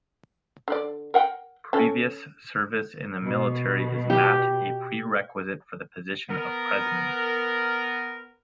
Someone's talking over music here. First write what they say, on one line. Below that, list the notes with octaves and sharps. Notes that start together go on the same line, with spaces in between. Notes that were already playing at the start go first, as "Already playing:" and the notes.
Previous service in the military is not a prerequisite for the position of president.
D3 D5
A#4 F#5 G5
C#4 A4
B2
G4
B3 A#4